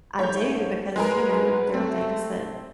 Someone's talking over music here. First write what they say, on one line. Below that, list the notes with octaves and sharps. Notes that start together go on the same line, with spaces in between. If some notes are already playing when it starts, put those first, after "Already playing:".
I do because, you know, there are things that
G#2 A3 C#5 G6
B2 F#3 G#3 G#4 A#4 B4
A3 C4